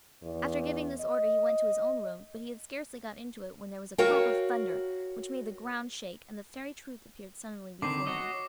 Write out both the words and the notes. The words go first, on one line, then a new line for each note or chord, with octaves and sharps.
After giving this order he went to his own room, but he had scarcely got into it when there was a clap of thunder which made the ground shake, and the Fairy Truth appeared suddenly before him.
E2
D#5
F#4 A#4 C#5 F5 G5
D3 D#3 C4 D6 C7
F#4 C#5 D#5